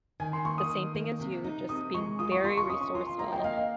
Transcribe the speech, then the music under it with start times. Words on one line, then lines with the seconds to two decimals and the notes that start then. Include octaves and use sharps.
the same thing as you, just being very resourceful,
0.20 D#3 G#5
0.33 C6
0.45 A#3 C#6
0.58 D#6
0.69 D#3
0.95 A#3
1.20 C3
1.44 D#4
1.69 C3 D#6
1.94 G#3 C#6
2.19 F4 D#6
2.32 C#6
2.44 F4 C6
2.58 C#6
2.70 C#4 D#6
2.81 C#6
2.95 F4 C6
3.07 C6
3.19 A#3 A#5
3.32 G5
3.40 D#5
3.44 A#3 F5
3.56 D#5